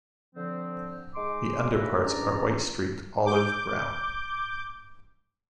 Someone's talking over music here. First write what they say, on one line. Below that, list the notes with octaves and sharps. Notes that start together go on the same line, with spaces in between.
The underparts are white-streaked olive brown.
D3 F3 C4
G#3 D#4 C6 D6
D#2 A#2 A3 A#4 B4 E5
E2 D3 C#4 D4 D5 A#5
D6 G6